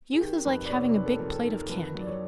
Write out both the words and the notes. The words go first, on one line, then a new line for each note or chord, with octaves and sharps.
Youth is like having a big plate of candy.
G#4
D#3 G4
F2 B4
D5
C3 C#5
D#3 B4
A4
A#4
F2
A4
D#3
A#4
F2 B4
F#3
D5
C#5